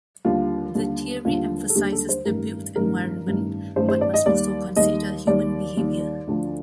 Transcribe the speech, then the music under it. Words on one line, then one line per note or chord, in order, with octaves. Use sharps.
The theory emphasizes the built environment, but must also consider human behavior.
D#2 D3 G3 F4
D#2 D3 G3
D#2 D3 G3 F4
A4
D#2 D3 G3 G4
A4
C5
A1 G2 D#3 G3 A#4
A1 G2 D#3 G3 A#4
A1 G2 D#3 G3
A1 G2 D#3 G3 C5
C5
D5
D#5
D#2 D#3 G3 D5
D#2 D#3 G3 D#5
D#2 D#3 G3 D5
D#2 D#3 G3
D2 D3 F3